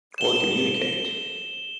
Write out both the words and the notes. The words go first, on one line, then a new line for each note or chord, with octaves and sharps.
Or communicate.
E7 G7